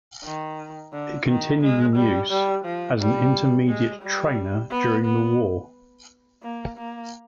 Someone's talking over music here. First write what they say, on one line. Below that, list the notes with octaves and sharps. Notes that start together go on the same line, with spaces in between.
It continued in use as an intermediate trainer during the war.
D#3
D3
D#3
G#3
G3
G3
F3
G3
G#3
G3
B3
B3
A#3
A#3